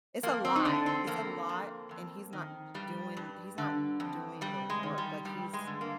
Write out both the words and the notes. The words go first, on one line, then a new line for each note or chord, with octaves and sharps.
It's a lot, it's a lot, and he's not doing he's not doing the work. Like, he's
F2 A#3
C4
D#4
D3 D4
C4
F2 A#3
F2
F2
D#3
G2 G3
G2
D3
F2
G2 G3
G#3
D#3
G3
G2 G3
G#3
D3
A#3